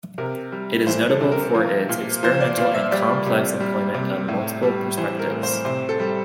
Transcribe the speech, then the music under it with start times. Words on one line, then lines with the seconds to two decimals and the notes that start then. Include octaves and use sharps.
It is notable for its experimental and complex employment of multiple perspectives.
0.18 C3 A#4
0.52 G3
0.87 E3 C5
1.10 A4
1.21 C3
1.32 A#4
1.54 F3
1.89 A#2
2.23 F3 C5
2.40 D5
2.58 A#2 F5
2.74 E5
2.91 G3 D5
3.26 C3
3.60 G3
3.94 C3
4.28 A2
4.63 G3
4.97 E3 C5
5.19 A#4
5.31 A2
5.43 C5
5.65 C3 C5
5.89 A4
6.00 G3